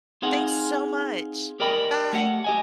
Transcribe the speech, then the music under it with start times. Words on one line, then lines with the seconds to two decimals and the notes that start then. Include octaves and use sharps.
thanks so much. Bye.
0.22 C4 D#4 F4 G#4 F#5
1.60 G4 A#4 D5 D#5 G5 B5
2.13 A3 G4 F#5
2.44 G4 D#5 G#5